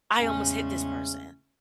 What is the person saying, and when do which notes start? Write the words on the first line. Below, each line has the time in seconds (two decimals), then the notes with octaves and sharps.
"I almost hit this person."
0.18 E2 A2 C#3 G#3 A3 C#4